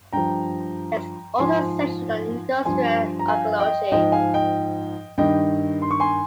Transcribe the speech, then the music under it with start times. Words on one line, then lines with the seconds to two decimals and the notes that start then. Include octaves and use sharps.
There's also a section on industrial archaeology.
0.13 G2 F3 G5 A#5
1.39 G#2 F3 G#5 C6
2.65 G2 F3 G#5 C6
3.19 A#5
3.28 F5 G#5
3.60 D#5 G5
3.92 G#2 F3 D#5 G5
4.12 F5 G#5
4.34 D#5 G5
5.18 G2 D#3 D#5 G5
5.82 C6
5.91 C#6
6.00 G#5 C6